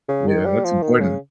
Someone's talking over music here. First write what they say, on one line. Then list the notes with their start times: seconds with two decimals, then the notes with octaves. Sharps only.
Yeah, that's important.
0.09 C#3
0.27 D#3
0.46 G3
0.65 F3
0.82 D#3
1.01 C#3